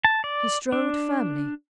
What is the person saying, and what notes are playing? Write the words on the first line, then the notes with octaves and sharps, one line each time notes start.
He strode firmly.
A5
D5
D4